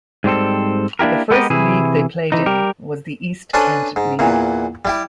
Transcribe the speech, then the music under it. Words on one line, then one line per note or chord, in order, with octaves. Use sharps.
The first league they played in was the East Kent League.
G#2 G3 C4 A4
A#3 D4 E4 G4 A#4
G#3 B3 G4 A4 A#4 D#5
C3 E3 E4 G#4
E3 D#4
G3 G4 A#4
C#4 D4 A4 B4 C5 G#5
G#2
E2 A#2 E3
G3 E4 G4